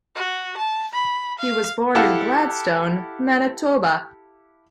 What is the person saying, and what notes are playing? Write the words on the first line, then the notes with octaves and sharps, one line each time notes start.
He was born in Gladstone, Manitoba.
F#4
A5
B5
F5
E4 G4 A4 F5 F#5 A5